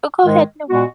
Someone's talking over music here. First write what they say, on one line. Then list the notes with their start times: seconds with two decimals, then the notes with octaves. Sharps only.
Oh, go ahead, no.
0.25 G#2 D#3 G#3
0.68 A#2 G#3 B3 F#4